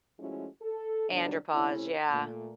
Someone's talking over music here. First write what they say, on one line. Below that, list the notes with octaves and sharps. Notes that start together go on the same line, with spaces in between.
Andropause, yeah.
F3 G#3 A3 C#4 E4 F#4
A4
B2 D3 F#3 G3 D4
C3 A3 C#4 E4
A#2 A3